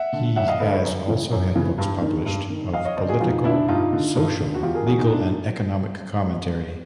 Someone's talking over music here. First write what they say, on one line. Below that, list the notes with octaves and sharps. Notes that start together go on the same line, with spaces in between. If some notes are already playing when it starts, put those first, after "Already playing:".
He has also had books published of political, social, legal and economic commentary.
Already playing: E5 F#5
D3
F#2 E5 F#5
D#5 F5
D3 A4 B4
B4 C#5
F#2
C#3 E3
F#2
C#3 E3
G2
D#3
G2
D#3
F2 D#5 F5
C#5 D#5
D3 C5 D5
F#4 G#4
F2 D#4 F4
D3 D4 E4
G2 D#4 F4
D3
G2
D3
F#4
E2 F4 G4
G#4 A#4
C#3 E3 F#4 G#4
D#4
D4